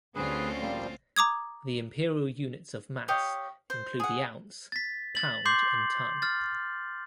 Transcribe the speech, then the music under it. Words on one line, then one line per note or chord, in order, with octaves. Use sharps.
The Imperial units of mass include the ounce, pound, and ton.
D2 D3 C4 C#4 F4 G#4 B4
A#2 F3 G3
A#5 D6 D#6 G#6
G4 C#5 D#5 F5
C5
G#4 F#5
A6 B6
A6 F#7
C6 D6 G6 C7 F#7
F6 A6